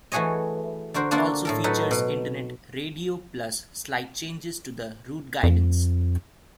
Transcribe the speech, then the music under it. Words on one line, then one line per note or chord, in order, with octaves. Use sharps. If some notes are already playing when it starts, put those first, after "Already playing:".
It also features internet radio plus slight changes to the route guidance.
E3 A3 F#4 G#4 C#5 D#5
D3 F#4 A#4 C5
A#3 D4 F4 F#4 A4 A#4
A2 A4 A#4
F#3 D#4 F#4 A4 B4
B2
F2